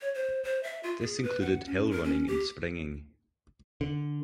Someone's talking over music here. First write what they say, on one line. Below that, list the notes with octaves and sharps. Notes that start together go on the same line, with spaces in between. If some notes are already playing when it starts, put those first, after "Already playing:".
This included hill running and springing.
C#5
C5
C5
E5
F4
G#4
B4
F#5
C#4
A#4
C#4
G4
D3